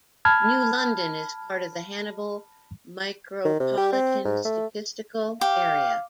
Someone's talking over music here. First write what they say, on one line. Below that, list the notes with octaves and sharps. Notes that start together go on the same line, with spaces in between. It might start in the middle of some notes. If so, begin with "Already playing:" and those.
New London is part of the Hannibal Micropolitan Statistical Area.
A5 B5 F6 G#6
D#3
C3
G4
C4
G#2
A3
G4 F5